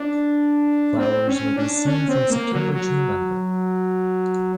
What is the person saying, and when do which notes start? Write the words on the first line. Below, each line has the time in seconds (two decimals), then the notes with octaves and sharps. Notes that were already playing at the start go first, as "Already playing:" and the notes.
Flowers may be seen from September to November.
Already playing: D4
0.97 C4
1.28 C#4
1.56 D4
1.86 C#4
2.08 C4
2.30 A#3
2.52 F#3
2.73 F#3